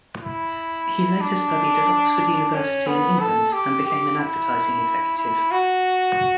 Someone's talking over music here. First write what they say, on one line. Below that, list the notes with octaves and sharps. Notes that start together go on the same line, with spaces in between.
He later studied at Oxford University in England and became an advertising executive.
E4
D4
C#4
B3
A4
G4
G4
E4
E4
F#4